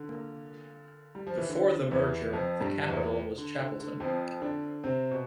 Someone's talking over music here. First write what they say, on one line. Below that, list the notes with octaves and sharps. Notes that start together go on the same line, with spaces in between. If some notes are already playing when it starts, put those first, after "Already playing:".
Before the merger, the capital was Chapelton.
Already playing: D3
G3
F3
E3
D3
E2 E3
F2 F3
G2 G3
E2 E3
D3
D3
D3
F2 F3
D3 D4
C3 C4
B2